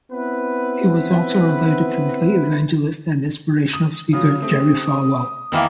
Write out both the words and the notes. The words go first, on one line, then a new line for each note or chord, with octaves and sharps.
He was also related to the late evangelist and inspirational speaker, Jerry Falwell.
B3 C4 E4 B4
D#6
C#3 F#3 F4 D#6
A3 C4 G4
E2 D#3 E3 A#3